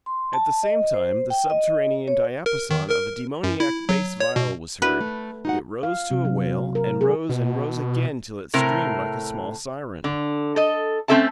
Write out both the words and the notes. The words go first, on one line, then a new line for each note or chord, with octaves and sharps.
At the same time the subterranean diapason of a demoniac bass viol was heard; it rose to a wail, and rose and rose again till it screamed like a small siren.
C6
A5
D#5
C5
G5
D#5
C#5
A#4
D#3
A#4
F#2
E4
F#3
C#5
B2
D4 E4 F#4 B4
A3
D#4 F#4 F#5
F5
C3
F#3
A#4
G#4
B2
A2 C3 A#4
D3
A4 D#5
A3 C4 C#4 A4 E5 A5